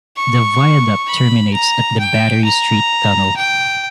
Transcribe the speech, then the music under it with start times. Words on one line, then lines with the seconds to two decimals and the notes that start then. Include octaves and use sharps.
The viaduct terminates at the Battery Street Tunnel.
0.17 C#6
1.07 B5
1.54 A#5
1.99 G5
2.45 A#5
3.37 G5